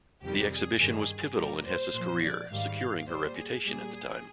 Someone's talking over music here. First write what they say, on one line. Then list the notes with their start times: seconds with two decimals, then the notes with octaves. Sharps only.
The exhibition was pivotal in Hesse's career, securing her reputation at the time.
0.23 F2 C3 D#3 G3 G4
0.51 G#4
0.80 G2 D#3 G3 G#4
1.37 A#2 G3 A#4
1.66 C5
1.94 A#2 F3
2.22 D5
2.51 G#2 D#3 G3 F5
3.07 A#2 G3 C5
3.36 G#4
3.65 A#2 G3 G#4